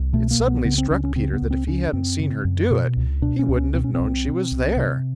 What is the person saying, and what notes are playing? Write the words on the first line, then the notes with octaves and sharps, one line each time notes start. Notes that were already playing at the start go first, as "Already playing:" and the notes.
It suddenly struck Peter that if he hadn't seen her do it, he wouldn't have known she was there.
Already playing: C2
B2 A3
A#3
C2
B3
C#3 B3
C4
C#2 C#4
C#4
C#3 C4
B3
C#2
C4
C#3 C#4
F#2 C4
C#3
F#2
B2
C#2
B2 D4
C#4
C#2
C#4
B2 C4
C#4
C2 C4
B2
C2
C3